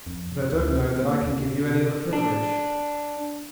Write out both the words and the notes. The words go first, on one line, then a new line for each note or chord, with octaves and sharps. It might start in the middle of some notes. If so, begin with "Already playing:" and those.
"But I don't know that I can give you any other privilege."
F2
D2
C#3
A#3
D#2
B2
C3
D4